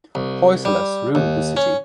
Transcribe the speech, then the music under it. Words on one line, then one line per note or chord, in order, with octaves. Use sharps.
Hoysalas ruled the city.
C2
G3
D#2
C#4